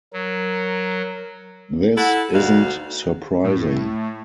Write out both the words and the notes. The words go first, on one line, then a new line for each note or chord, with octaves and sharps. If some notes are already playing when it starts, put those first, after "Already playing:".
This isn't surprising.
F#3 A#4
E4 A4 F#5
D2 B2 D#4 F#4 F5
A2